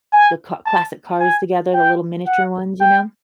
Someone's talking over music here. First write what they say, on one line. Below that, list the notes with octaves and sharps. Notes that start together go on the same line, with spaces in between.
the ca classic cars together, the little miniature ones, you know?
G#5
A5
G#5
G5
F#5
G5